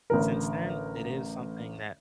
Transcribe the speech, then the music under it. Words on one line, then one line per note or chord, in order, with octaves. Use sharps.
since then, it is something that
A1 D3 A#4